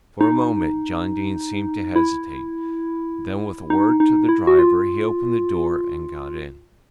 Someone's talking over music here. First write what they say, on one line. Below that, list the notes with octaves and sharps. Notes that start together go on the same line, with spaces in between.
For a moment John Dene seemed to hesitate, then with a word to the driver he opened the door and got in.
D#4
E4
D#4
D#4
E4
F#4
F4